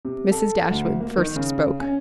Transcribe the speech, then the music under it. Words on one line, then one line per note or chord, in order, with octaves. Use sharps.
Mrs. Dashwood first spoke.
C3
A4
D2
A#3
D#3
C#3
C#4